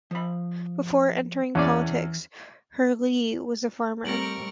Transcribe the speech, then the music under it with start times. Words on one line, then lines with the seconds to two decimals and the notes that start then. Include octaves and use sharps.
Before entering politics, Herlihy was a farmer.
0.11 F3 B5
1.55 E2 E3 C#4 D5
4.05 G3 A3 C4 A#4 C#6 A#6 D7 F#7